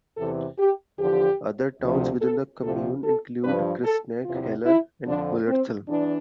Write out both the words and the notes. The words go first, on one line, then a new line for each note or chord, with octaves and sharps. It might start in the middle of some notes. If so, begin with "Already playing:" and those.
Other towns within the commune include Christnach, Haller, and Mullerthal.
E2 C3 E3 A4
G4
E2 D3 F3 G4
D2 C3 F3
A4
D2 C3 F3 A4
A4
G2 F3 B4
A4
E2 C3 E3 F4
E4
F2 D3 F3 D4
C4
E2 D4